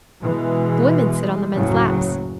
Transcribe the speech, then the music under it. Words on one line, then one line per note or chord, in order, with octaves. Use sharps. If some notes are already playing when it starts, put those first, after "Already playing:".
The women sit on the men's laps.
B2 E3 G#3
F#1 D2 A2 C#3 F#3